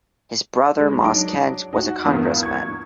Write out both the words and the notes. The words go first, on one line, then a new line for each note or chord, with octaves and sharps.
His brother Moss Kent was a Congressman.
G#3
F#3 D4 D#4 D7
D#4 F#4
E2 G2 A#3 B3 F4 D#6
C#6 G#6